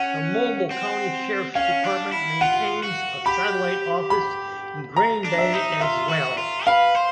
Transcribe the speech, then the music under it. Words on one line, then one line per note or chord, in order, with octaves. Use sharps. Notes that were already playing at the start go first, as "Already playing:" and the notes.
The Mobile County Sheriff's Department maintains a satellite office in Grand Bay as well.
Already playing: C#4 F#5
C4
C#4 F5
D4
E4
F4 F#5
F#4
G4 B5
B5
A#5
D4
E5
D#4
F4 E5
F#4
F4
B4 F5
C5